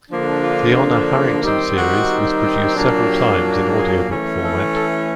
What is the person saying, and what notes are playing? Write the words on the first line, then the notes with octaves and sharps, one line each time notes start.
The Honor Harrington series was produced several times in audiobook format.
D3 F3 A#3 D4
F4
D#3 G3 C4 D#4
F#4
A#2 F#3 A#3 D4
G4
G#4
E3 A3 C#4
A4
A4